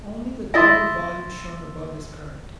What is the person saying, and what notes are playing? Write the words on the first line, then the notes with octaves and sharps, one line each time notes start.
Only the total volume shown above is current.
E4 D#5 C6 A6 A#6